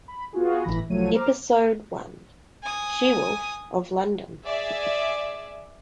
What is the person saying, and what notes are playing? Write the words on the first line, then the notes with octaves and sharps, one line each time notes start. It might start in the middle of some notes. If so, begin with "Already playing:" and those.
Episode One: She Wolf of London.
B5
B3 F4 F#4 G#4
G1 A2 E3 B5 A#6
C2 F3 F#3 A3 C#5 D#7
C5 A#5 D6 F6
G#5 D#6
G#4 D5 E5